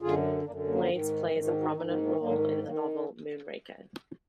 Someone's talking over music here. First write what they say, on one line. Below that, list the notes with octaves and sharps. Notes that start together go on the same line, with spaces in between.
Blades plays a prominent role in the novel "Moonraker".
F#2 D3 F4 G#4
F#2 D3 A#3 D4
F#3 A#3
G#2 D#3
G#2 D#3 F3 G#3
D4 F4
D#4 F#4
G#2 D#3 B3 D#4
G#3 B3
A#3 D4
G#2 D#3 F#3 A#3
D#3 F#3 A#3